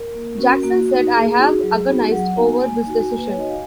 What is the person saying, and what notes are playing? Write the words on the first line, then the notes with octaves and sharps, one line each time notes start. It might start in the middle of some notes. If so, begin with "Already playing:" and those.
Jackson said, I have agonized over this decision.
Already playing: A#4
A#3
C#4 F#4
A#3 F#4
D#4 F#4
A#3 G#4
D#4 F#4
F#3
B3 D#4 F#4
F#3 F#5
B3 D#4 F#4 G#5
A#3 G#5
D#4 F#4
A#3
B4
C#5
D#4 F#4 D#5
F5